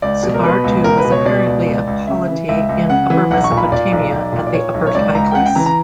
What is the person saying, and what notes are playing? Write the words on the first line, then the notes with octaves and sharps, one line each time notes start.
Subartu was apparently a polity in Upper Mesopotamia, at the upper Tigris.
C#2 D5
B2
A#4
B2 B4
C#2
C#2 A#4
B4
B2
C#5
B2 D5
C#2
C#2
C#2
C#3 E5
E3
C#2 E5
C#2
C#3 F#5
E3
B1 F#5
C#6
A#2
B5
A#2 D5
B1
B1
A#2
D5
A#2 C#5
B1
C#5
C#2 D5
C#2 A#5
G5
C#3 F#5
G5
E3 A#5
A#5